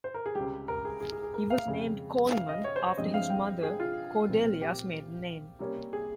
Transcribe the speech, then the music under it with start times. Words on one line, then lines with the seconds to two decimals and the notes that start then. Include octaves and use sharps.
He was named Coleman after his mother Cordelia's maiden name.
0.04 C5
0.14 A#4
0.26 G#4
0.35 C#2 C3 G3 G4
0.68 A#4
0.85 G#4
1.01 G#4
1.12 G#4
1.23 G#4
1.34 A#4
1.50 F5
1.66 F2 C#3 G#3 C4
2.32 F5
2.49 D#5
2.64 C#5
2.76 C5
2.86 C#5
2.97 G2 F3 G#3 C4 D#5
3.14 F5
3.30 G5
3.63 G#4
3.80 F4
4.29 C2 A#2 F3 C4
4.61 G4
5.59 C3 G3 A#3 C#4
5.93 G#4